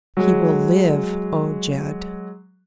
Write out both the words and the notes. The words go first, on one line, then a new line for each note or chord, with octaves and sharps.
"He will live, O Jed."
F#3 G#3